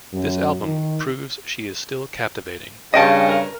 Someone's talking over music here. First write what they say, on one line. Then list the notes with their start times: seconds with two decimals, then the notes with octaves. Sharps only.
This album, proves she is still captivating.
0.13 F#2
0.63 D#3
2.94 G2 C#3 D#5 G5 A5
3.29 A#4